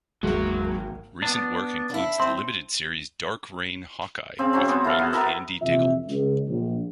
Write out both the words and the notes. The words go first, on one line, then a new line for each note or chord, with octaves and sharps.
Recent work includes the limited series "Dark Reign: Hawkeye", with writer Andy Diggle.
G#1 E2 E3 F#3 G#3 A#3
B3 D4
D4 E4
C4 C6
C#3 C4
F#3 C4 C#4 F#4
B3 C5
E4 A4 F5
B3 F#4
B3 E4 A4 A#4
A#1 F2 C3 E3 F4 E5
C#2
A#1